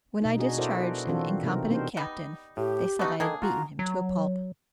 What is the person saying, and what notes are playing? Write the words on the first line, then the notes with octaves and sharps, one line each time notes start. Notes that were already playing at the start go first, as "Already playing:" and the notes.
When I discharged an incompetent captain, they said I had beaten him to a pulp.
B2 D#4
D4 F#4 G#4 D#5
E4 F#4 A4 A#4 C5 D5
E3 C4 D4 F4 F#4 A4
C3 C4 D#4 A#4
B3 C4 D4 D#4 A#4 C5
G3 B3 D#4
A2 G4
A3 B3 D#4 F#4
D#3 A#3 D4 G#4 A4
F4 F#4 A#5
F#3